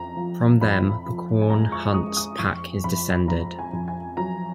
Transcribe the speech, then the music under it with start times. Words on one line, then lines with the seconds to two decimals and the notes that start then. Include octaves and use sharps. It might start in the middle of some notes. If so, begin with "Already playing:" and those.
From them the Quorn Hunt's pack is descended.
Already playing: F2 A#5
0.17 F3
0.61 F2 B5
1.06 F3
1.42 G#5
1.50 G#3 A#5
1.72 C#6
1.94 G#3 D#6
2.17 D#6
2.39 F2 C#6
2.84 F2 B5
3.28 F2 A#5
3.59 G#5
3.73 F2
3.88 G#5
4.17 F#3 A#5